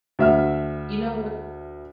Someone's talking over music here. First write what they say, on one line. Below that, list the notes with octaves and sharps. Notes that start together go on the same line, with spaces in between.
You know what
D2 E5 F6